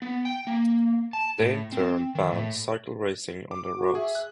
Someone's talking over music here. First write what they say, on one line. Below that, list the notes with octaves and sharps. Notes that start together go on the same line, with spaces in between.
They in turn banned cycle-racing on their roads.
B3
G5
A#3
A5
A2
C4
D#3
A2
D6
F#4
G#4 E5
F#6